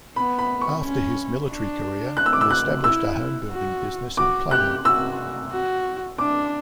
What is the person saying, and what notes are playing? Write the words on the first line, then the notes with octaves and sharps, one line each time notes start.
After his military career, he established a homebuilding business in Plano.
B3 B5
B5
C#6
C#4
D4
F#6
E6
D6
E6
F#6
E4 E6
F#4
F#4 D6
G4 F#6
F#4 E6
F#4
D4 D6